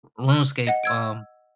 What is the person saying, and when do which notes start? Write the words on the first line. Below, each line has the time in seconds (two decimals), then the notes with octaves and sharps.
RuneScape, um
0.67 D#5 F#5
0.83 E6 G#6 D7